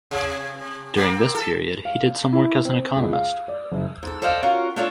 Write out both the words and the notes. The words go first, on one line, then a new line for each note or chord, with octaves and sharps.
During this period he did some work as an economist.
C3
A#3 C4
A4
F5
E4
C4
C#2
F5
D5
F#1
G#2 A4
A4 C5 D5 D#5 F5 G5
C#4 F4 F#4 A#4 F#5
A3 C#4 D4 F4 A4 C#5